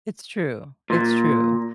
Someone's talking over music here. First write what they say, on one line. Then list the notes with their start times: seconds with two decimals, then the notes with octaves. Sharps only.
It's true, it's true.
0.90 A#2